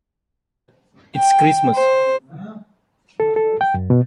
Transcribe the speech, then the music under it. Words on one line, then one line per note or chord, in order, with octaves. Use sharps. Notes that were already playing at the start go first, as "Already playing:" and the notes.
It’s Christmas.
G5
C5
A4
A4
G5
F#2
B2